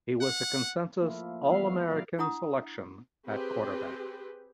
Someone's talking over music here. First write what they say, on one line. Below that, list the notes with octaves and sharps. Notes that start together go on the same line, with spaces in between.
He was a consensus All-American selection at quarterback.
F#5
F3 A3 A#3 E4 F4
E3 G#3 B3 E4 E5 F5
A#2 F#3 E4 A#4 D5 F5
D4 E4 F#5 A#5 D#6
C4 G4 G#4 B4